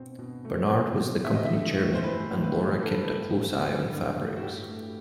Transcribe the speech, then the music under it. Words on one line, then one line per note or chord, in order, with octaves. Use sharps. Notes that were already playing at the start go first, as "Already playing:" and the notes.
Bernard was the company chairman and Laura kept a close eye on fabrics.
Already playing: B2 C4
B2
A3
B2
C4
A2 E5
D#5
E5
A3
A2
C5
E3 B4
A2
B4
A3
G2 A4
B4
A4
A3
C4
D#3 G4
G2
A3
F#4
A2 G4
A3